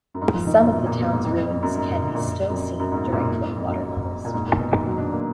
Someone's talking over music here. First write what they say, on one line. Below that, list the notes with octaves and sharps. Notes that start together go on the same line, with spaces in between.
Some of the towns ruins can be still seen during low water levels.
F#2
G#2
F3
D#3
B2
A#2
A#2
B2
G#2
F2
F2
F2
F#2
G#2
A#2
D3
A#2
F#2
F2
F#2
G#2
B2
A#2
G#2
G#2
F2
F#2
A#2
G#2
A#2
B2
D#3
F#3
D4
A#3